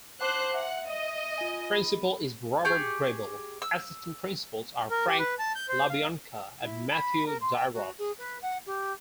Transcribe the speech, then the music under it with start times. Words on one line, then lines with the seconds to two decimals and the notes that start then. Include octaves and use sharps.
Principal is Robert Grable; assistant principals are Frank LaBianca and Matthew Dyroff.
0.20 C5 F#5 A5 D6 F#6
0.54 E5 F#5
0.88 D#5
1.38 F4 G#5
1.72 B5
2.65 G4 G#4 C#6 G6
3.62 E6
4.91 A#4
5.08 G4
5.19 B4
5.39 A5
5.56 G6
5.69 C5
5.90 F5
6.61 E4
6.90 B5
7.26 A#4
7.40 C6
7.55 G5
7.73 F#4
7.98 G#4
8.18 B4
8.42 F#5
8.66 G4